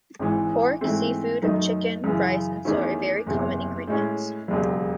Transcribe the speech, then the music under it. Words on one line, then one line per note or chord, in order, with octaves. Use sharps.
Pork, seafood, chicken, rice, and soy are very common ingredients.
G#1 G#2 E3
G#2 E3 A3 C4
F#2 D#3 F#3 A3 D#4
F#2 C#3 E3
E2 D#3 A3 C#4 E4
F#1 E2 C3
A2 G#3 C#4
E1 D#2 C#3 F#3